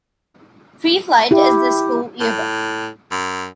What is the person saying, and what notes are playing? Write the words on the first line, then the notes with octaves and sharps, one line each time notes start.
"FreeFlight" is the school yearbook.
E4 G4
A2
F#2